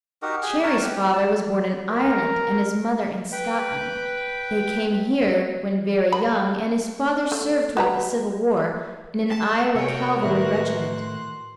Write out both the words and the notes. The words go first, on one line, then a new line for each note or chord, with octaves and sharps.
Cherrie's father was born in Ireland, and his mother in Scotland; they came here when very young, and his father served throughout the Civil War in an Iowa cavalry regiment.
D#4 F#4 G4 A#4
G4 G#4
A#4 C#5 F#5 A5
G4
G3
A5
A#4
B4 G5 B5
B5
A3
F#4 B4 A#5
A5
C3 F#4 A#4 C#5 E5 G5 G#5 C#7
A2 D#3 B4 C5 E5 F#6
C6